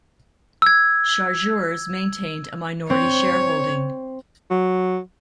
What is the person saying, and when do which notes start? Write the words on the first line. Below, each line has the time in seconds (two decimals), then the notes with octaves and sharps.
Chargeurs maintained a minority shareholding.
0.62 E6 G#6
2.90 C4 C#5
4.51 F#3